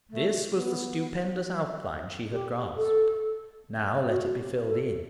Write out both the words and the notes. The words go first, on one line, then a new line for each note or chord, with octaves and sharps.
This was the stupendous outline she had grasped: now let it be filled in.
A3
B3
G4
A4
F#4
G4
A4